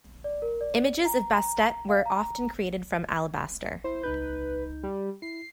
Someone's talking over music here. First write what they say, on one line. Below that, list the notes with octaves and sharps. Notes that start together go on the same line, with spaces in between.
Images of Bastet were often created from alabaster.
D5
A#4
D5
A#5
A#5
F5
A#5
E4 C5
C#2 D#4 B4 G6
G3
E4 C7